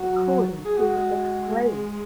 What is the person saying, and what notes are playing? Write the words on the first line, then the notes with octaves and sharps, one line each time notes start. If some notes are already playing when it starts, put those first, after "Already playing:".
According to Exclaim!
Already playing: F#3 F#4
G#4
G#3 F#4